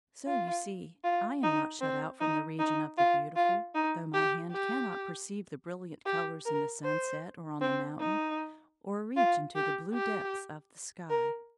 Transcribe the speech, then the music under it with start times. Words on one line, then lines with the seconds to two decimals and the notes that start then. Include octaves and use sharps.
So you see I am not shut out from the region of the beautiful, though my hand cannot perceive the brilliant colours in the sunset or on the mountain, or reach into the blue depths of the sky.
0.27 F4
1.04 F4
1.43 D#4
1.81 C4
2.20 D#4
2.59 D#4
2.97 F4
3.36 F4
3.74 D#4
4.13 G4
4.51 G4
6.06 G4
6.45 A#4
6.84 C5
7.61 C4
8.00 D#4
9.16 F4
9.55 G4
9.94 G4
11.10 A#4